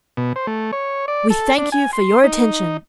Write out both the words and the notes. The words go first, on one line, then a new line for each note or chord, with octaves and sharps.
"We thank you for your attention!"
B2
C5
A3
C#5
D5
A4
D4
G#5
C6
D#4